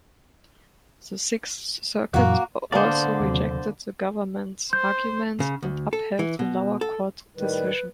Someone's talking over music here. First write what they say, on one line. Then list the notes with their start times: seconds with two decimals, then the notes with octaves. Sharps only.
The Sixth Circuit also rejected the Government's arguments and upheld the lower court decision.
2.14 F#2 A#2 E3 A#3 F#4
2.72 D3 A#3 B3 C5 D5 F#5 A5 F6
3.20 D#2 C3 F#3
4.73 C5 G6
5.40 C#3
5.63 D2
5.93 A4
6.19 E3
6.39 B2
6.81 A4
7.37 A2 D#3 G3 B4